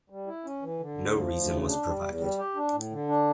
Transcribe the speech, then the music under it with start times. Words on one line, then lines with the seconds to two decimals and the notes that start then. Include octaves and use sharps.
No reason was provided.
0.10 G3
0.27 E4
0.45 C#4
0.62 E3
0.79 D3
0.98 D2
1.15 F3
1.32 D2
1.50 C#3
1.68 D4
1.85 G3
2.03 E2
2.20 G3
2.38 G4
2.55 D4
2.73 A2
2.91 D3
3.08 D4